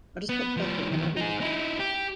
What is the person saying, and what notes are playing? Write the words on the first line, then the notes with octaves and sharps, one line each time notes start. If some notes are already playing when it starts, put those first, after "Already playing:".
I'll just pop the kettle on and then I'll be with you.
B3
F3 G3
E2 D#3
D#4 G#4
D#4 E4
G4